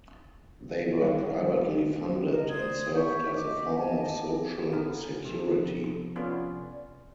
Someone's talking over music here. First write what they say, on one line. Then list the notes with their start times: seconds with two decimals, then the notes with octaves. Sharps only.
They were privately funded, and served as a form of social security.
1.02 G3
2.29 A#4 D#5
2.49 C5 D5 D#6 G#6
2.94 E5 C#6 G6
3.35 D#5 E5 D6
3.78 A#4 D#5 G#5 A5
4.73 C#3 B3 A4 A#4 G#5
5.25 C3 F3
6.16 B3 C#4 F4 D5